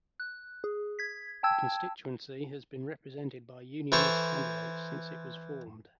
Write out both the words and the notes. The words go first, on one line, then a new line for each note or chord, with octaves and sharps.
The constituency has been represented by Unionist candidates since it was formed.
F#6
G#4
G#6 B6
G5 A5 E6 G#6
E3 A4 C5 C#6